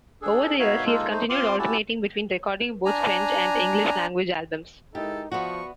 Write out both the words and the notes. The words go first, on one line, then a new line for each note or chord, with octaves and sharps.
Over the years, he has continued alternating between recording both French and English-language albums.
D4 G#4 A4
B3 D#4 F#4 C#5 E5 F5
G#3 A#3 D#4 F4 A4
A3 D#4 C5
C4 F4 C6 D6
C#4 E4 F#4 G4 A4 A5
D4 G#5 A#5
G#3 D#4 E4 G4 A4 A#4
F3 B3 F#4 D5 E5 C#6